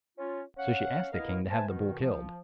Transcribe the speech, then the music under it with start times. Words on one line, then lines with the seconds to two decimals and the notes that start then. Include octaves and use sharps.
So she asked the king to have the bull killed.
0.18 C#4 F4
0.57 C#4 F5 F#5
1.13 A#3 B3 E4 A#4 D#5 F5
1.50 B4 C5 E5 G#5 A5
1.68 B2 D#3
2.01 F3